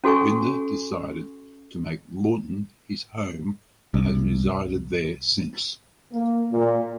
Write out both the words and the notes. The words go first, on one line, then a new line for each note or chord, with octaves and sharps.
Binder decided to make Lawton his home and has resided there since.
C#4 F#4 A4 G#5 C#6
C2
A#3
A#2